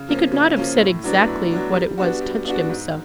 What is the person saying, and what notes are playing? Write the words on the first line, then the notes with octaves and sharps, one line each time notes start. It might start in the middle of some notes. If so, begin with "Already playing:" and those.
He could not have said exactly what it was touched him so.
Already playing: C#3
F3 A#3 C#4
C#3
F3 A#3 C#4
A2
F#3 B3 D4
A2
F#3 B3 D4
G3
B3 D4 F#4
G3
B3 D4 F#4
G#2